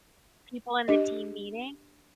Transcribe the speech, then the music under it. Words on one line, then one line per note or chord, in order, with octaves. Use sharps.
people in the team meeting?
D4 G4 D#5